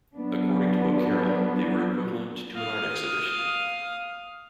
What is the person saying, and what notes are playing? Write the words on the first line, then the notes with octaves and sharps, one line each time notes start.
According to O'Carroll, they were equivalent to an art exhibition.
F#3 B3 D4
F5 D#6